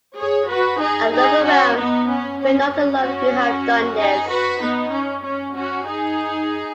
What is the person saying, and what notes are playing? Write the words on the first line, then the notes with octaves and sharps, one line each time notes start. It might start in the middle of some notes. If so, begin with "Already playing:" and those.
And look around, we are not alone who have done this.
G#4 C#5
F#4 B4
D#4 G#4
D#4 G#4
C#4 F#4
B3 D#4
C#4
C#4
C#4
C#4 F#4
D#4 G#4
F#4 B4
B3 D#4
C#4
C#4
C#4 F#4
D#4 G#4